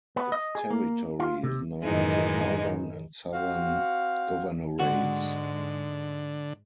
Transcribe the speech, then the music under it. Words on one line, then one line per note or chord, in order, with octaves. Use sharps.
Its territory is now in the Northern and Southern Governorates.
B3
D#5
G#4
A#3
F4
C3
F#2 A2 D#3 E3 G#3 D#4
C4 F#4 F5
G#2 D3 G#3 F#4